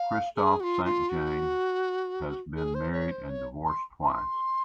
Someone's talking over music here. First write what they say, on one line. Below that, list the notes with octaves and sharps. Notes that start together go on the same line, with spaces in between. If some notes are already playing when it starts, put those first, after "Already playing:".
Kristoff Saint John has been married and divorced twice.
Already playing: F5
G#4
F#4
F4
F4
F#4
G#4
C5
C#5
C5
C#5
C6
C6